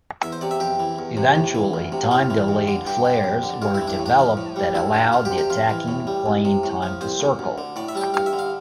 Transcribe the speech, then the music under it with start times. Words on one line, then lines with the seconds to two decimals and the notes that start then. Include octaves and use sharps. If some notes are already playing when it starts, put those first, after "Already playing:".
Eventually time delayed flares were developed that allowed the attacking plane time to circle.
0.23 E2 E5
0.32 C5
0.41 C3 D5
0.51 E5
0.60 F2 G4
0.80 E3
0.99 E2
1.17 C3
1.35 A2
1.55 E3
1.74 D2
1.92 C3
2.11 A2 F4
2.30 E3
2.48 G2
2.68 D3
2.87 G2 G4
3.05 D3
3.24 F2
3.43 D3
3.62 G2 F4
3.75 E4
3.81 E3
3.87 D4
3.99 A2
4.06 D4
4.19 F3
4.37 A2
4.56 G3
4.75 D2 E4
4.94 D3
5.12 D2 F4
5.25 G4
5.31 C3
5.38 G4
5.50 F2 F4
5.69 E3
5.88 A2
6.07 G3
6.26 C2
6.45 C3
6.64 A2
6.82 F3
7.01 C2 C5
7.20 A#2
7.39 D2
7.58 D3
7.76 A2 D5
7.88 E5
7.95 G3 A5
8.01 G5
8.14 G2 F5
8.26 E5
8.33 D3
8.39 F5